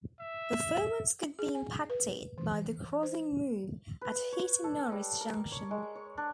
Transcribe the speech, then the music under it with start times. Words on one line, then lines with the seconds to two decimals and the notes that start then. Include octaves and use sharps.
Performance could be impacted by the crossing move at Heaton Norris Junction.
0.20 E5
1.39 G#4
1.55 G#5
1.90 B4
2.38 E3
3.03 C5
4.01 B4
4.32 C#5
4.64 A4
4.92 G3
5.21 A#4
5.52 C#5
5.71 G#3
5.95 C#5
6.17 D4